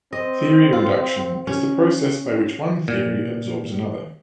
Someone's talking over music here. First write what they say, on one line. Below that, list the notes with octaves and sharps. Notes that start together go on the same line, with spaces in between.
Theory reduction is the process by which one theory absorbs another.
C4 D#5
F4
C#4
A#2